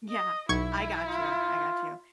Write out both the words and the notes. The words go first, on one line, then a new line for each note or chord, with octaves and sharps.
Yeah. I got you. I got you.
D#5
B1 E4 C#6 G#6
F4